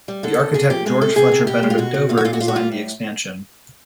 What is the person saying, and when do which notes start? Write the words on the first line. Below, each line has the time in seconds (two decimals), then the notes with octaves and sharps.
The architect George Fletcher Bennet of Dover designed the expansion.
0.08 G3
0.23 D3 A4
0.39 D3
0.54 D3 G#4
0.70 F3 G4
0.86 G#3 G#4
1.01 C3 A4
1.16 C3 G#4
1.32 C3
1.47 B2 G4
1.63 G#3
1.70 F4
1.78 B2 F#4
1.94 B2
2.09 A#2 F4
2.17 F#4
2.25 A#2 F4
2.33 F#4
2.40 A#2 F4
2.48 F#4
2.55 G3 F4
2.72 A2